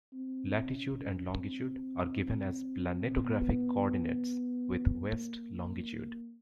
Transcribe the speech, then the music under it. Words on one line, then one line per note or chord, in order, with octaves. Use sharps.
Latitude and longitude are given as planetographic coordinates with west longitude.
C4
C#4
C4
B3
A#3